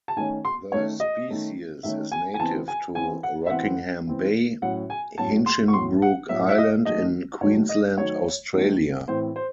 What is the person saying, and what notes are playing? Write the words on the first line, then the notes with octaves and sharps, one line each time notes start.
The species is native to Rockingham Bay, Hinchinbrook Island in Queensland, Australia.
A5
D#3 A3 C#4 G#5
C6
D#3 A3 C#4 C#5
D#5
D#3 A3 C#4
D#3 A3 C#4 E5
G#5
G#5
E3 C4 A5
G#5
E3 C4 G#5
F#5
E5
E3 C4 F#5
E3 C4
A2 F#3 C#4 F#5
G#5
A2 F#3 C#4 A5
C6
C#6
A2 F#3 C#4 C6
F#5
A2 F#3 C#4 E5
E5
D#5
D#3 F#3 A3 D#5
D#3 F#3 A3 C#5
D#5
D#3 F#3 A3 C#5
D#3 F#3 A3
A2 E3 C4 C5
C5